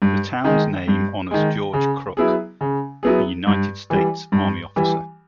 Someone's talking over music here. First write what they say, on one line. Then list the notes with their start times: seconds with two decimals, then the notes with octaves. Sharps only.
The town's name honors George Crook, a United States Army officer.
0.02 G2
0.44 D#3 G#3
0.88 G2
1.31 D#3 G#3
1.73 C#3
2.17 F#3 B3 E4 G#4
2.61 C#3
3.03 F#3 B3 E4 G#4
3.47 G2
3.90 E3 G3
4.32 G2
4.76 E3 G3